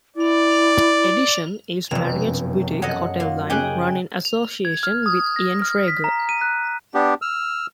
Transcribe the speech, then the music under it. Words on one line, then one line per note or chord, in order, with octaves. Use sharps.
"Edition" is Marriott's boutique hotel line, run in association with Ian Schrager.
E4 D5
F1 F#2 B2 E3
F#3 A4 D#5 F#5
A#3 F4
C#3 D#4 G4 G5 G#5 F#6
F7
G#6
F6
D#6
A#6
F6
B6
A#5
D#7
F#6
B3 D4 G4
E6 F6